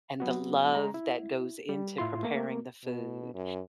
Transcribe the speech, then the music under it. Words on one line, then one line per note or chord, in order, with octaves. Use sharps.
and the love that goes into preparing the food
F#3 B3 F#4
G#3 A#5
E4
G3
A2 E4 F4 C6
A3 A#3 A#4
B2
F#2